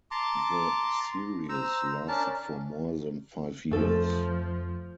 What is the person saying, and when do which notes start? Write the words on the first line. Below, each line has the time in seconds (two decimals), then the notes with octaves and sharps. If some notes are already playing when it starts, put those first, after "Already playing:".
The series lasted for more than five years.
0.11 A5 A#5 C6 D6
1.49 C5 A#5 E6
2.08 C#4 D4 A#4 A5
3.71 F2 F3 A3 A4